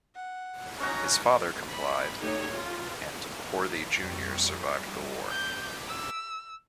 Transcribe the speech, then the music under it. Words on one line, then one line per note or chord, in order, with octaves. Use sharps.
His father complied, and Horthy Junior survived the war.
F#5
C#4 D#4 F#4 C#5 A#5
B5
A3 D#4 G4 C#5
F4
F2 G3 C#6
G3
D6 G6 B6
E6